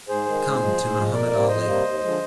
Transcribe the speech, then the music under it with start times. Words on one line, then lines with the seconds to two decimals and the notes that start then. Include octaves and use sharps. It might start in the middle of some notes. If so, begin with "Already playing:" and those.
Come to Muhammad Ali.
0.08 G#2 G#4 C5
0.26 D#3 G#3
0.43 G#2
0.61 F3 G#3
0.78 G#2
0.96 F3 G#3
1.13 F2 A#4 D5
1.31 C3 G3 A#3
1.48 F2 C5 D#5
1.66 C3 G3 A#3
1.83 D#2
2.01 D3 F3 G#3